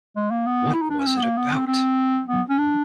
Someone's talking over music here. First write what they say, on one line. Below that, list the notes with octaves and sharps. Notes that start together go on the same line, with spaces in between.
What was it about?
G#3
A#3
B3
E4
D#4
D4
C#4
C4
B3
A#3
B3
C4
C4
B3
C#4
D4